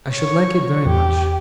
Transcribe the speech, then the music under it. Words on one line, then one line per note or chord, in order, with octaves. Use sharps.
'I should like it very much.
C#5 C#6
E2 G4